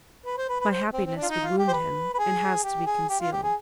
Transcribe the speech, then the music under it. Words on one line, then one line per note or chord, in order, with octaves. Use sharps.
My happiness would wound him, and has to be concealed.
B4
C5
B4
B4
C5
C4
C4
D4
F4
D#4
F4
G4
C5
B4
B4
G#4
G4
G#4
G4
F4
G4
G#4